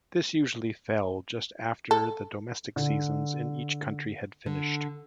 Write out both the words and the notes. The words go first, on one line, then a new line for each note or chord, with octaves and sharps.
This usually fell just after the domestic seasons in each country had finished.
A4
D3
D3